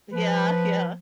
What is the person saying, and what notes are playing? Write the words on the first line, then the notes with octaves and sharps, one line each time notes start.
Yeah. Yeah.
F3 B4